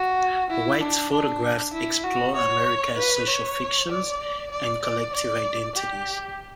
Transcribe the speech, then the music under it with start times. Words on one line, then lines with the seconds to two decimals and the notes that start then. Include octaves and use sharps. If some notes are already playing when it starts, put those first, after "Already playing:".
White's photographs explore America's social fictions and collective identities.
Already playing: F#4
0.50 E4
0.81 D4
1.12 D4
1.74 E4
2.04 F#4
2.36 C#5
2.97 B4
3.27 C#5
3.90 D5
4.51 D5
4.83 D5
5.13 D5
5.75 G4